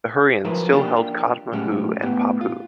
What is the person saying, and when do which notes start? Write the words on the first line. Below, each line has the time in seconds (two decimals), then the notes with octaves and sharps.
The Hurrians still held Katmuhu and Paphu.
0.44 F3 F#3 E4 A#4 B4
0.72 A#3 D4 F4 G4
1.53 A2 F#3 G#3 C#4 G4
2.02 A2 B3 G4
2.41 F4